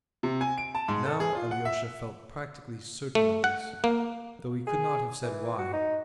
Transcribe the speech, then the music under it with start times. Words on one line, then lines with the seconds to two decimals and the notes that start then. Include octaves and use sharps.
Now Alyosha felt practically certain of this, though he could not have said why.
0.23 C3
0.41 G#5
0.58 D7
0.75 A5
0.88 G#2
1.05 A4
1.20 G#4
1.35 F4
1.51 F#5
1.65 E5
3.15 A3
3.44 F#5
3.84 A#3
4.67 G#4
5.22 E3
5.58 F#4
5.73 D#4